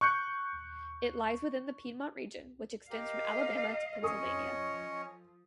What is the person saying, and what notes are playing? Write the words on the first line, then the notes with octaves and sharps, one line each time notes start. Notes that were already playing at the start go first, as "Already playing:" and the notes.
It lies within the Piedmont region, which extends from Alabama to Pennsylvania.
C#6 F#6 G6 C#7
G4 A#4 D#5 F5
F3 C#4 A4 C#5 D#5 D#6